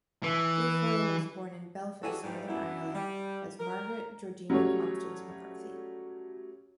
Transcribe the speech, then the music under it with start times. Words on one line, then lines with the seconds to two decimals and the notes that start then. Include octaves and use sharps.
Guilfoyle was born in Belfast, Northern Ireland as Margaret Georgina Constance McCarthy.
0.23 E3
2.04 E3 F#3 G3 F#4 G#4 A4
2.24 G#2 E3 G3
2.48 F#2 B3 D4 E4
2.95 G3
3.59 A#4
4.50 F#3 G3 A3 C#4 C#5